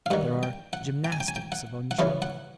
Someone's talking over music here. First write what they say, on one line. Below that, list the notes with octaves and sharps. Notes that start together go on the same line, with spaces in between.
There are gymnastics of untruth.
F5
G2 D#3 F#5
G5
F#5
G5
G#5
G5
G#5
G5
F#5
F#5
E2 C#3 E3 F5
F#5